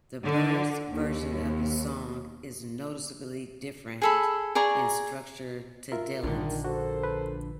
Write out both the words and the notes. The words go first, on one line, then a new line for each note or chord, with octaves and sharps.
The Byrds' version of the song is noticeably different in structure to Dylan's.
D3
D#2
G#4 A4 B5
G#4 D5 A#5 C#6
F4 A#4 E5
A#1 D3 D#3 D4
F#4 A4 A#4 C5
B4